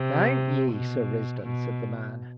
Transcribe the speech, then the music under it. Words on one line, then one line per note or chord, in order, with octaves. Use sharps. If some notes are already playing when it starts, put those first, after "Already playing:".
"Thank ye, Sir Risdon," said the man.
Already playing: C3
B2
B2